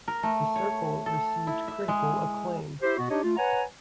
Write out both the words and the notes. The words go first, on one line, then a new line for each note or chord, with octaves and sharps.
"The Circle" received critical acclaim.
A#4
A3
C#5
A4
E4
E5
G#3
E4 G4 C5
B2 B3 F#4
D4 D#4 G4 C#5 D#5
A3 F4
B4 C#5 F#5 G#5 A#5